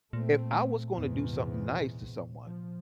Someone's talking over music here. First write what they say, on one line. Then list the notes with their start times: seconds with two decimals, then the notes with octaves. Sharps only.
if I was gonna do something nice to someone
0.13 A#2 A3 C4
0.93 E2 G#2 C3
2.44 F3